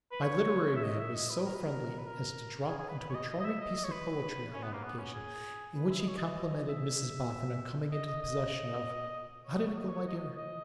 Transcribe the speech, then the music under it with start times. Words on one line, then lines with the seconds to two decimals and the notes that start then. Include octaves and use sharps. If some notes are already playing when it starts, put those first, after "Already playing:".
My literary man was so friendly as to drop into a charming piece of poetry on that occasion, in which he complimented Mrs Boffin on coming into possession of--how did it go, my dear?'
0.12 B4
0.22 C#5
0.76 E5
0.84 D#5
1.00 E5
1.15 D#5
1.30 B4
1.46 A#4
1.55 B4
1.64 A#4
1.99 B4
2.07 A#4
2.68 G#4
2.79 G#4
2.89 B4
2.99 B4
3.10 C#5
3.15 D#5
3.30 D#5
3.40 D#5
3.45 E5
3.61 D#5
3.76 D#5
3.84 C#5
3.91 B4
4.53 C#4
4.63 B3
4.73 A#3
4.84 B3
4.99 C#4
5.14 G#4
5.77 B4
5.91 E5
6.00 D#5
6.08 C#5
6.17 D#5
6.68 E5
7.91 D#5
8.06 D#5
8.22 D#5
9.45 C#5
9.56 D#5
9.67 C#5
9.77 D#5
9.88 C#5
10.07 D#5
10.17 D#5
10.37 D#5